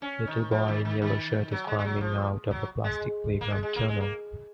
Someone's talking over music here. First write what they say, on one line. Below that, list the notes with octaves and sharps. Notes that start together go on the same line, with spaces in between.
Little boy in yellow shirt is climbing out of a plastic playground tunnel.
C#4
D#3
F3
D#3
D#3
D#3
F#3
G#3
G#3
F#3
F3
F#3
G#3
A#3
G#3
G#3
A#3
G#3
A#3